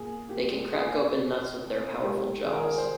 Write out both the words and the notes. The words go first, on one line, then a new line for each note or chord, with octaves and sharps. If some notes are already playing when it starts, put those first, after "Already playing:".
They can crack open nuts with their powerful jaws.
Already playing: A#2 A#3 G#4
A#3 G4
A#3 G#4
C3
C3
G#3 G4
D#3 G#4
A#4
G#4
C5